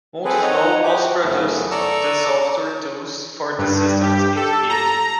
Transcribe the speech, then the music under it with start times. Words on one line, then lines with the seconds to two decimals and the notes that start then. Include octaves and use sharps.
Multiflow also produced the software tools for the systems it built.
0.25 C4 G#4 A4 B4
0.42 D#4 C#5 D#5 F#5 A#5
0.83 G4 D6
0.99 F#4
1.24 F#2 C#3 A3 B3
1.71 A4 D5 A#5 C#6 E6
3.58 G2
4.03 G4
4.36 A4
4.69 A#5